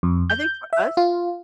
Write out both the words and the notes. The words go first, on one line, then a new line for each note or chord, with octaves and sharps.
I think for us
F2
G6
E5
F4